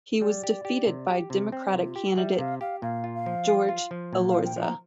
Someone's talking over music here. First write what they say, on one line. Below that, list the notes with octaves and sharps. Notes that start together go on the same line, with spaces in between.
He was defeated by Democratic candidate Jorge Elorza.
G3 D5
G4
G4
C3
G4
C3
C4
C3
F4
G4
G3 E5
C3 F5
G4 F5
A#2 F5
F4
F5
F3
F4
F4
F3
A#2
F5
F3
G5
F3 A#5